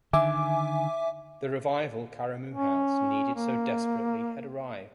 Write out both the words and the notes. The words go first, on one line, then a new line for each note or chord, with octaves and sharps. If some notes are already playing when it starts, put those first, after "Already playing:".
The revival Karamu House needed so desperately had arrived.
D3 D#3 E5 G#5 D6
C#4
A#3